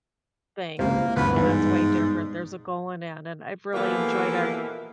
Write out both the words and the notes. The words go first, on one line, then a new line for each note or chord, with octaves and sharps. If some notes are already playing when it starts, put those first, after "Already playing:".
thing, you know, that's way different. There's a goal in that, and I've really enjoyed our
C#2 C3 A#3 E4 C5
D2 G2 B2 B3 F4 B4
G#2 E3
B2 E3 F3 A#3 G4 A4